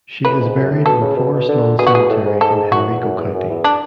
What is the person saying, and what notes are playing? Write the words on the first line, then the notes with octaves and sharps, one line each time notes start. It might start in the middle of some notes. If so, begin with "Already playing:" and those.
She is buried in Forest Lawn Cemetery in Henrico County.
A2 B4
G#2
F#2
A2
B2 A4
C#3
B2
B2
D3
B2 G#4
F#4
G#4
A2
G#2
G#2 A4
F#2 F#4
E2
F#2
E2
F#2
E2
D4